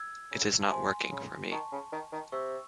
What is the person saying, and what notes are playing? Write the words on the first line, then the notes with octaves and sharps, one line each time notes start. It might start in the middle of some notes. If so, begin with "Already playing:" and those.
It is not working for me.
Already playing: E6 G#6
C#3
A5
C3 G#5 C6
C#3
D#3 A5 C#6
C#3
D#3
D#3
C3 C#6 E6